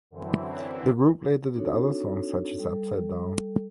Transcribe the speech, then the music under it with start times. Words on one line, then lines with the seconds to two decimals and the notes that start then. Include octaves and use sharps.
The group later did other songs, such as "Upside Down".
0.11 F#2 D3 E3 F#3 C4 E4
1.55 C4 D4 D#4 F#4 A4 C#5
2.58 G3 A4